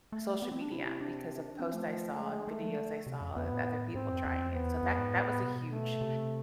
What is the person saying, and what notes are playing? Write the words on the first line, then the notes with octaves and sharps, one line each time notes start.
social media, because of post I saw and videos I saw of other people trying it. So that that was a huge,
A3
B3
C4
D4
C3 E4
E4
D4
F3 C4
A3
G#3
G#3 A3
F3
C3
F2
F2 B3
A2
G#2 C4
F2
E2
F2
E2 B3
F2
G#2
A2
B2
A3
C3